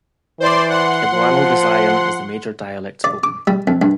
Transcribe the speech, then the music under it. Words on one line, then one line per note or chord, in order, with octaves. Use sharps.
Cebuano-Visayan is the major dialect spoken.
E3 C5 D5 C6
F#5 C6
F3
D5
D6
G3
F2
G2